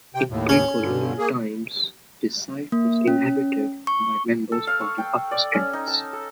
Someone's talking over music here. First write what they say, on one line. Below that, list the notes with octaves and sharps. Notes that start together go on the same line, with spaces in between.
In pre-Colonial times, the site was inhabited by members of the Upper Skagits.
C3 G5
D#2 A2
C#4
G2 D3
A#3 G#4
A#3
C#4
C#6
A4
F5
C#6
G5
D5
C#4
D#4
A5
A4